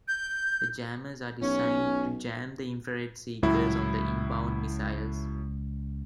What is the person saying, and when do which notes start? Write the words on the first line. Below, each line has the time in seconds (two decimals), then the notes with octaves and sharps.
The jammers are designed to jam the infra-red seekers on the inbound missiles.
0.08 G6
1.42 B1 C#4
3.43 C#2 A2 F#3 E4